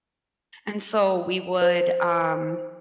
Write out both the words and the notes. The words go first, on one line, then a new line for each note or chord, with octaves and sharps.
and so, we would, um,
C5